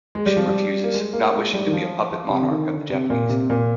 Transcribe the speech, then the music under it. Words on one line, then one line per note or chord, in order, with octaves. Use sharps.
She refuses, not wishing to be a puppet monarch of the Japanese.
G#3
G3
F3
G3
A#3
G#3
A#3
G#3
G3
D#3
F3
F3
C3
D3
D#3
D3
C3
A#2
C3
A#2